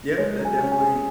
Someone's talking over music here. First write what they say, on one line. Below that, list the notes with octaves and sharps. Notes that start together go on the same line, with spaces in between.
Yeah. That definitely
G#3 C#5
F#3
G#5
C#4
G#5
G#4